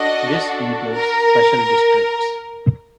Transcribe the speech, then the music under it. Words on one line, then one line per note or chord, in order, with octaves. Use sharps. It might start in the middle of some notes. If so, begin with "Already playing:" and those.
This includes special districts.
Already playing: D4 F#4 A4 D#5
A#4